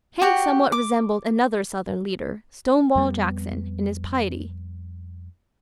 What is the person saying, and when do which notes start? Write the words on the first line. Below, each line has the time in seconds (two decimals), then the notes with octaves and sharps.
Haig somewhat resembled another Southern leader, Stonewall Jackson, in his piety.
0.22 F#4 G4
0.72 D6
2.95 F2 G3 B3